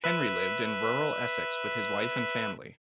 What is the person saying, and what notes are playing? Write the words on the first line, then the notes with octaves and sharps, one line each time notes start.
Henry lived in rural Essex with his wife and family.
B4 E5